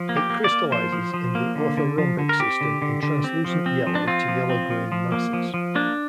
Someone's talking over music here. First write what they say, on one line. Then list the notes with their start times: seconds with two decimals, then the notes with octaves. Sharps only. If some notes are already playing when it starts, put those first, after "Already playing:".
It crystallizes in the orthorhombic system in translucent yellow to yellow green masses.
Already playing: F3
0.09 A#3
0.17 G4
0.30 A#3
0.44 D5
0.51 A#3
0.72 F3 C5
0.92 F3
1.14 F3
1.35 A#3
1.55 D3
1.77 D3
1.98 F3
2.19 D3
2.29 A#4
2.40 C4 G4
2.61 D3
2.82 D3
3.03 D3
3.24 C4
3.45 F3
3.66 C4
3.87 F3
3.95 D4
4.07 C4 F4
4.28 F3
4.50 C4
4.70 F3
4.92 F3
5.12 A#3
5.33 F3
5.54 F3
5.75 A#3 D4